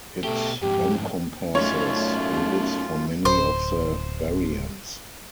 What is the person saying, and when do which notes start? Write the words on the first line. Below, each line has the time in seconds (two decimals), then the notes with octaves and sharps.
It encompasses rules from many of the variants.
0.24 B2 A3 G4
0.62 F2 G#2 G4
1.55 F#2 A3 C#4 D#4 F4 C#5
3.25 D1 C5